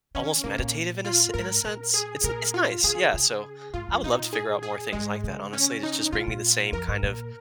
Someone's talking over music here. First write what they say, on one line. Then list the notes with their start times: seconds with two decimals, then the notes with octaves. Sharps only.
almost meditative in a in a sense. It's n it's nice, yeah. So, I would love to figure out more things like that, honestly. It's just bringing me the same kind of
0.15 D#3 C#4
0.44 C#3 A#3
0.59 A#2
1.05 F4
1.34 G#2 A#4
1.64 A#2
1.94 G#4
2.24 A#2 A#4
2.54 F4
2.83 C#3 G#4
3.14 C#3
3.74 G#2 F4
3.89 F2
4.03 A#2 D#4
4.33 G#4
4.63 G#4
4.93 G#2 G#3
5.24 C#3
5.53 C#4
5.83 D#4
6.13 A#2 F4
6.27 A#2
6.72 F2 A#4
6.88 G#2
7.03 A#2